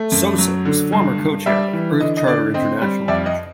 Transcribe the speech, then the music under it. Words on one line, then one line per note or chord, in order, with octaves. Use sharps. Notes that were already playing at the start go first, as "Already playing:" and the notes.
Sosa was former Co-Chair of Earth Charter International Commission.
Already playing: A3
F#2
F#3
D3
G2
G2
G3 D5 E5
E3
D3 D#5
D#5
D3 D5
C4 D#5
G3
F2 D5 E5
D#5